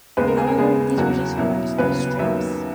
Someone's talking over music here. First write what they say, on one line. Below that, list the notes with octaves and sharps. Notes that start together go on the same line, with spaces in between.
However, these were just grass strips.
D#2 C#3 G#3 B3 B4
A#4
G#4
A#4
D#2 C#3 G#3 B3 G#4
E2 C#3 F#3 A#3 F#4
B2 F#3 A#3 E4
D#2 C#3 F#3 B3 B4
D#2 D#3 F#3 B3 E5